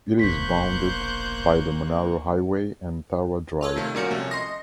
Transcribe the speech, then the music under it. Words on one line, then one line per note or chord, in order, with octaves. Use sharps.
It is bounded by the Monaro Highway and Tharwa drive.
E1 A#1 A#3 C5 C#6 F#6 G6 B6
F4 A4 C#5
C3 D#3 A3
A#2 G3 C#4 F#4 A#4 C#7
C3 F3 A3 C#4
D#5 C6 A#6